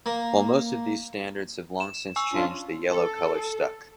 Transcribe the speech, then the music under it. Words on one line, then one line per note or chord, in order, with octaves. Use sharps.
While most of those standards have long since changed, the yellow color stuck.
A#3
E7
G#5 C#6 E6
C#4 D4 F4
A4